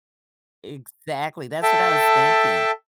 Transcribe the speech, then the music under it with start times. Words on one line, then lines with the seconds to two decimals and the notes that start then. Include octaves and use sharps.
Exactly, that's what I was thinking.
1.63 A4 E5 G5 A5